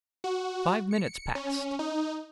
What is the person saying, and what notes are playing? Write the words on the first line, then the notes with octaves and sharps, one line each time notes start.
Five minutes passed.
F#4
C#7
C#4
D#4